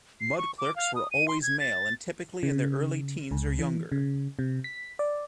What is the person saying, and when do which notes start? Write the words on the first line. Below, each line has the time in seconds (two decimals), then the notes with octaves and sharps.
Mud clerks were always male, and typically in their early teens or younger.
0.21 C7
0.38 C#6
0.58 D6
0.76 F5
0.95 D#6
1.11 D#7
1.28 C6
1.42 G#6
1.60 A6
2.43 C#3
3.31 C#2
3.59 E3
3.92 C#3
4.39 C3
4.64 B6
4.99 D5